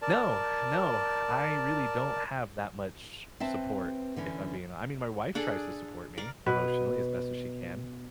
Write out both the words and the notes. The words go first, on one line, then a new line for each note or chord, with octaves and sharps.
no, no, I really don't have that much support if I'm being I mean, my wife tries to support me emotionally as best as she can.
A#4 D5 A5
C4 B4 E5 A5
D3 E3 C#4
D4 G#4 A4 D5
A#4 D5
B2 B4